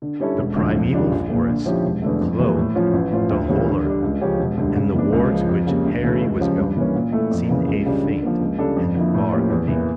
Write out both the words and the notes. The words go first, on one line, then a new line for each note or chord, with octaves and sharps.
The primeval forest clothed the whole earth, and the war to which Harry was going seemed a faint and far thing.
D3
G3 C#4 E4 A4
E1
D2 D3 F3
F2
C#3 G3 D4 F4
A#1
A#2 F3 A#3
D3
F3 C#4 E4 G4
E1
E2 D3 A3
F2
E3 G3 A#3
A2
F3 C#4 F4
A1
A2 F3 C#4 F4
D2
C#3 E3 G3 C#4
D3
G3 D4
C#2
C#3 F3 C#4 G4
E1
D2 D3 G3
C#3
E3 A#3 D4
C#2
C#3 F3
F2
C#3 G3 A#3
D2
C#3 E3 A3
C#2
C#3 F3 C#4 G4
G2
E3 A#3 C#4
A#2
A3 E4 A4
F2
C#3 E3 A#3
C#2
C#3 G3 D4 G4
D3
F3 A#3
C#2
C#3 G3 D4 A4
F2
D3 F3 A#3 E4
A2
F3 A#3 C#4 G4
E2
E3 A#3